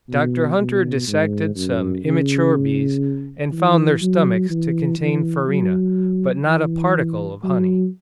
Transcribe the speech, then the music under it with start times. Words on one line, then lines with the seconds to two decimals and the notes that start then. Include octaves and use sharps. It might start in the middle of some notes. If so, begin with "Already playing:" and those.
Dr. Hunter dissected some immature bees, and found their stomachs to contain farina, but not a particle of honey.
0.09 B2
0.59 B2
1.08 G#2
1.56 F#2
2.05 C#3
3.52 E3
4.01 F#3
4.50 E3
4.99 E3
5.48 F#3
6.46 E3
7.43 F#3